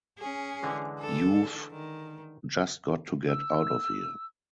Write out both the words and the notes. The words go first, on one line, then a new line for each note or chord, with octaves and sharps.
You've just got to get out of here!
C#4 G#4
D3 E3 G#3
D4 A4
D#3
E6